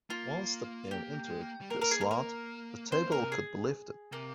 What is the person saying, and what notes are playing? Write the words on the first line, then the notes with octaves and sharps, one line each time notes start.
Once the pin entered the slot, the table could be lifted.
A#3 F4
G4
A#3
G#3
A#3
G3
A#3 A#4
A#4
G#4
A#4
A#3 A#4
C4 C5
A#3
A#4
C3
G#4
C3 A#3